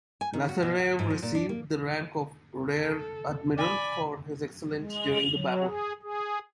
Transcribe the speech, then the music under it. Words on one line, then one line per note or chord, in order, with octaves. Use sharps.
Lazarev received the rank of Rear Admiral for his excellence during the battle.
G#5
D#3
F#4
B2
F#5
G#2
F3
A#2
D4
A#3
A4
D5 G#5 B5
G#3
F#3
G#4
G#4